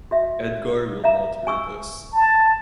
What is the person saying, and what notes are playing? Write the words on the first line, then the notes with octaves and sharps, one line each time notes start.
Edgar will not hurt us.
F#4 E5
E5 F5 A#5
G#5 C#6 E6
A5